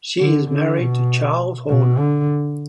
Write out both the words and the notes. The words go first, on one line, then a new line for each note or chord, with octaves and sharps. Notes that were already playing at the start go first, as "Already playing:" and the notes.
She is married to Charles Horner.
D3
D3
B2
B2
D3